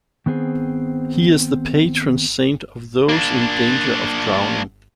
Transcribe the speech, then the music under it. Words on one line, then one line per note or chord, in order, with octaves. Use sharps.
He is the patron saint of those in danger of drowning.
D#3 B3 C4 G#4 C5
A#3 D4